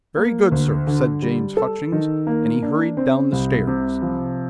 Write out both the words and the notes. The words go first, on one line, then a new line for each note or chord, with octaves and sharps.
"Very good, sir," said James Hutchings, and he hurried down the stairs.
A#3
D2
D3
G3
A4
D#3
A#3
D4
C4
C2
C3
F3